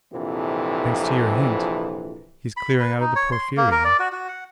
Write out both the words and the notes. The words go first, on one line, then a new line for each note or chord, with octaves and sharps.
"Thanks to your hint, he's clearing out of the Porphyrion."
A#1 F2 C3 E3
B5
B4
D#4
C#5
C6
A#3
A#4
D5
F#4
F#4
F#5